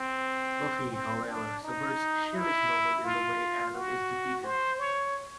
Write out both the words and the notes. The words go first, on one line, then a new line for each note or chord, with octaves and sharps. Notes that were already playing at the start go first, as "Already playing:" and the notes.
"Buffy", however, subverts Shelley's novel in the way Adam is defeated.
Already playing: C4
C4
D4
D#4
E4
F4
F#4
C5
C#5